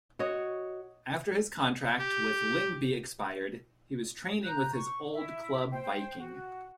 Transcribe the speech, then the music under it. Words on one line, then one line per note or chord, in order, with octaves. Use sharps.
After his contract with Lyngby expired, he was training with his old club Viking.
F#4 C#5 D#5
G4
A#5 F#6 G6
C#6
E4 E5
C5 G5
F#4